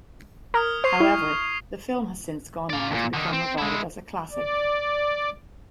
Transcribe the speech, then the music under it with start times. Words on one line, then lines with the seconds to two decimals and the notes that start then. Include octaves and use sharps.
However, the film has since gone on to become regarded as a classic.
0.54 A#4 D#6 F6 G#6
0.84 C5 C#6 C7 F7
1.00 E4
2.70 D5 F5
2.91 D#2 A#2
3.14 D3 D#3
3.33 C4
3.58 G#3 E4
4.32 D5